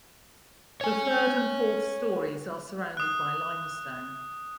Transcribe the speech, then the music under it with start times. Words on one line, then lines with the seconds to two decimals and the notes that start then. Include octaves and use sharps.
The third and fourth stories are surrounded by limestone.
0.81 C#5 G#5
2.97 D#6 F#6